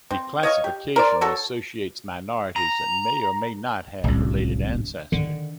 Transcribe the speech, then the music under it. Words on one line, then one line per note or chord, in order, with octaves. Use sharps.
The classification associates minorities that may or may not have related ancestry.
C4
C#5 D#5 F5 C#6
G4
A#4 C5 D5
F#4 A4 C#5
A#5
D1 C2 C#3
D4
D3 D#3